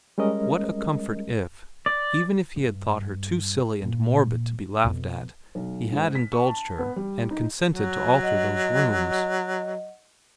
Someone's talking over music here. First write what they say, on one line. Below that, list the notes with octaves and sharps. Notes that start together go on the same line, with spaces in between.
What a comfort if, even if he had thought her too silly and morbid to be laughed at, he had indulged her and consented to alter those rooms.
G3 G#3 C#4 A#4 D#5
D5
G2
A#2
F2 B2
B1
G#2
B6
C#6
A5
B3
G3
D#4
F#3
D#5 F#5